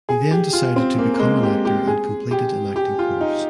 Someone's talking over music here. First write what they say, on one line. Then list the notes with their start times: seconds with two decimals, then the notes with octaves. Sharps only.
He then decided to become an actor and completed an acting course.
0.09 G#4
0.31 G4
0.53 F4
0.76 C4
0.98 A#3
1.14 A#3
1.20 G#3
1.43 G4
1.65 G4
1.88 G#4
2.31 G4
2.76 G4
2.99 F4
3.21 D#4